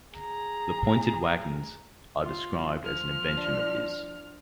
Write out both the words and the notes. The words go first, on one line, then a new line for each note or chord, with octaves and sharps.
The pointed wagons are described as an invention of his.
G#4 A#5
F4
F3 F6
D4